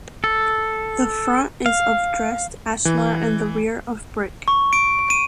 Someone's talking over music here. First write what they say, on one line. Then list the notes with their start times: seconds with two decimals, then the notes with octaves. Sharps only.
The front is of dressed ashlar and the rear of brick.
0.24 A4
1.66 F5
2.85 E3
4.48 C#6
4.73 D7
5.10 D#7